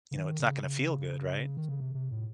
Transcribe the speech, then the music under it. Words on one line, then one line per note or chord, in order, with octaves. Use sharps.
you know, it's not gonna feel good, right?
C#3
D#3
C#3
C#3
D#3
C#3
C3
C3
A2